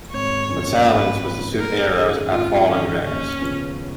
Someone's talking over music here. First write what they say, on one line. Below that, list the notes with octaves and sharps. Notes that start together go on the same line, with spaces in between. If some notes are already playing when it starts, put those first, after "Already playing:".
The challenge was to shoot arrows at falling rings.
G#1 C#5
F#2 F3 A#3
G#1 B4
F#2 F3 A#3
G#1 A#4
F#2 D#3 G#4
G#1 F4
F#2 D#3 C#4
D#2 C#4
C#3 F3 B3